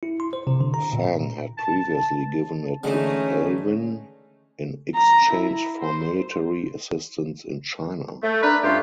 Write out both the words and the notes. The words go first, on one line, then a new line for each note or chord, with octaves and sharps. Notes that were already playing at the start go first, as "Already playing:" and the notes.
Fang had previously given it to Kelvin in exchange for military assistance in China.
E4
C6
C5
C3
D3
A#5
A#2
A5
D3 E3 G#3 A3 C#4 D#4
A#5
E4
C5
A3
D4 A#4 B4
G2 A3 C#4 F4 G4 C6